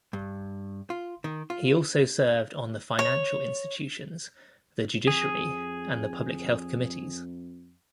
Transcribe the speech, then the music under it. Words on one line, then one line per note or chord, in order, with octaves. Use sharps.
He also served on the Financial Institutions, the Judiciary and the Public Health Committees.
G2
F4
D#3
F4
C#5
F2 G#4